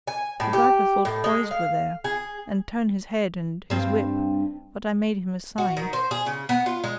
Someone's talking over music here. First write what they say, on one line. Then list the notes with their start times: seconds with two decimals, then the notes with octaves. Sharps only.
The driver thought boys were there, and turned his head and his whip, but I made him a sign.
0.08 G#5
0.40 A2
0.53 G4
1.05 A2
1.24 G#3
1.51 F5
2.04 G#4
3.70 G2 C4
5.58 F#4
5.77 D#3
5.93 C5
6.11 G#4
6.26 C#3
6.49 B3
6.66 F4
6.84 G#3